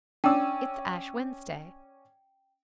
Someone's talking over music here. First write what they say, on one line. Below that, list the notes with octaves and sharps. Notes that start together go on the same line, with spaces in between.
It's Ash Wednesday.
C#4 D4 D5 G5 E6